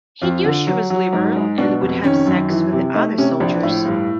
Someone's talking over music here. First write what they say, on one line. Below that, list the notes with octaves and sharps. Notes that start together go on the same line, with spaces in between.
He knew she was liberal and would have sex with the other soldiers.
F2 F4
D3
F#3
F#3
G#2
G#3
B2 D4
F1
D#3 C#4
F#2
E3
C3
A3 D#4
C3 C#4
A#1 D4
A2
G2